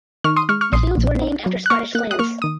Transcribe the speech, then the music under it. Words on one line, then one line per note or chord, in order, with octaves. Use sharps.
The fields were named after Scottish clans.
D#3 C#6 F6
C6 D#6
G#3 C#6 F6
C#6 F6
A#1 C6 D#6
A#1
D#4
F#3
F#6
A#3 C#6 F6
A#3 F#6
D#6 F#6
A#3 C#6 F6
D#3 D#6